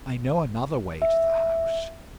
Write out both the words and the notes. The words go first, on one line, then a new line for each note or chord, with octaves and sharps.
I know another way to the house.
E5